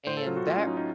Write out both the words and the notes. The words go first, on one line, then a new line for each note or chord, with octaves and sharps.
and that
A2 C5
A4
F#3 F4
F#4
A2 F4
C#4
F#3 D#4
D#4